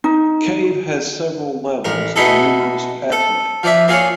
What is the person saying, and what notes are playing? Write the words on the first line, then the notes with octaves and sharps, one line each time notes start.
Cave has several levels and numerous pathways.
D#4
A1 A#4
B2 D#4 E4 G#4 A4
A4
F3 D5 E5
A#3 F4 G#4 C#5